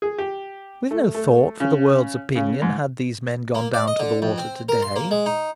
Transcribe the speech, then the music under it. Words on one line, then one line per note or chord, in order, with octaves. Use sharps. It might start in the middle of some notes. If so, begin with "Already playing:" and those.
With no thought for the world's opinion had these men gone down to the water to-day.
G#4
G4
A3
A3
C#3
C#3
G#2
A#3
D5
D#5
D3
F2
C4
A#4
C6
A#3
G#3
D#4